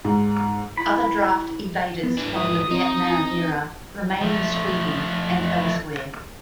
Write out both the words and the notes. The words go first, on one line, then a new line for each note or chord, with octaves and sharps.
Other draft evaders from the Vietnam era remain in Sweden and elsewhere.
G#2
E4 B5
B3
G#2 E3 D4
E4 E5 D#6
C4 D#4
F3 A3